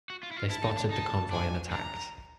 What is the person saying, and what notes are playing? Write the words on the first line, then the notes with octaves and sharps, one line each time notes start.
They spotted the convoy and attacked.
F#4
F4
E4
F4
E4 A5
D#4
D4
D#4 A5
D4 G#5
D4 A#5